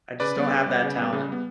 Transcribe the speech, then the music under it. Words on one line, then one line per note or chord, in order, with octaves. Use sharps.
I just don't have that talent.
C#3 B4 D5
G3 B3
C#3
G3 B3
C#3
G3 B3
C#3
G3 B3